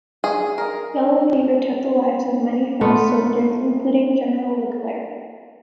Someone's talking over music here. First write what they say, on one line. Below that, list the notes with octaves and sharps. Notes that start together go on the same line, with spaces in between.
Yellow fever took the lives of many of the French soldiers including General Leclerc.
G#4
A#4
A3 B3 F4